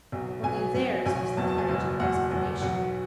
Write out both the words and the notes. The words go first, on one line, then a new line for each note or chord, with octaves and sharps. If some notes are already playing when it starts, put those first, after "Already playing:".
Only theirs was the courage of desperation.
B1 B2 F#3
B1 B2 F#3 G#5
B1 B2 F#3
B1 B2 F#3 G#5
F#1 E2 B2 F#3 A5
A5
G#5
F#1 E2 B2 F#3
F#1 E2 B2 F#3 F#5
F#1 E2 B2 F#3
B1 B2 F#3 F#5